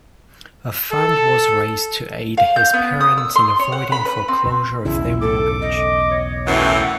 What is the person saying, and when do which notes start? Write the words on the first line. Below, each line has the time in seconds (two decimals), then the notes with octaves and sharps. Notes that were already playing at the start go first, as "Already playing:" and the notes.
A fund was raised to aid his parents in avoiding foreclosure of their mortgage.
0.92 A4
2.37 F5
2.56 G6
2.74 B3
3.01 D#6
3.18 E6
3.36 C6
3.59 C#5
3.72 F#5
3.92 B5
4.05 B4
4.28 C4
4.85 B1 E2 C#3 E4
5.21 A4 D6
5.62 D#5
6.11 C#5
6.47 F#2 A2 E3 E5 F#5